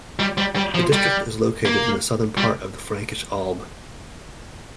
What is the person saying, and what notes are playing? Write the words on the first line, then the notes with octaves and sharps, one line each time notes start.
The district is located in the southern part of the Frankish Alb.
G3
G3
G3
F3
G3
A#3
G3